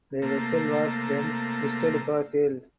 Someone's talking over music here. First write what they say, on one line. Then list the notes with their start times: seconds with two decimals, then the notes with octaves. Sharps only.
The vessel was then listed for sale.
0.22 C3 A3 A#3